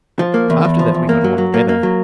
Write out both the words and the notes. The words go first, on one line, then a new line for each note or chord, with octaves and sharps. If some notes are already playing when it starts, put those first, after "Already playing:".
After that we got along better.
F3
A#3
E2
E2
F3
E2
A#3
F#3
F#3
A#3
A#3
F#3